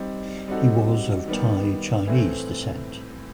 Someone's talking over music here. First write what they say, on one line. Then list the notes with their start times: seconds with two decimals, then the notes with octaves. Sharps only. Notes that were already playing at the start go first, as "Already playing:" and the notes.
He was of Thai Chinese descent.
Already playing: G3 C4 D#4
0.47 G3 C4 D#4 F#4 A4
1.28 D#3 G3 B3
2.07 A2 E3 A3 C4